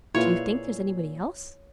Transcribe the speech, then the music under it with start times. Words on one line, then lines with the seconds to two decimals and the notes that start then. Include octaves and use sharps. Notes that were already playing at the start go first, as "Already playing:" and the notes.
'Do you think there's any one else?'
0.15 A#2 E4 F4 G#4 B4 C#5 E5